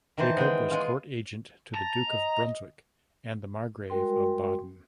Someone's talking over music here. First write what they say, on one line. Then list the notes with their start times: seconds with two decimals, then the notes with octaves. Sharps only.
Jacob was court agent to the Duke of Brunswick and the Margrave of Baden.
0.18 D#3 E3 C5 A5
0.37 G#3 B3 G5
0.71 G#3 F4
1.75 A5 A#5
2.08 D#5
3.90 G3 G#3 F#4 A#4 G5 C6